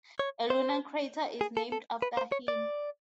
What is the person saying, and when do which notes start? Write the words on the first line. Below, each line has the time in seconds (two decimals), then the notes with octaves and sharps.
A lunar crater is named after him.
0.19 C#5
0.50 C5
1.41 G#4
1.57 A4
1.72 A4
2.02 B4
2.17 C5
2.32 C#5
2.48 D5